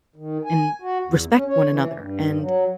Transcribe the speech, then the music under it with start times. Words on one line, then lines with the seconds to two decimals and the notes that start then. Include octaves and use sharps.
and respect one another, and
0.16 D#3
0.45 G#5
0.82 F#4
1.07 E2
1.34 C#4
1.48 C#5
1.68 E3
1.95 G2
2.40 F#3